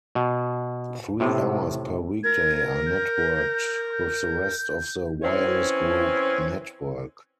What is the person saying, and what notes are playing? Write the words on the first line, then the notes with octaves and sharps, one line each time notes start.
Three hours per weekday are networked with the rest of the Wireless Group Network.
B2
A2 C3
A#4 G#6
G6
G6
E3 C4 C#4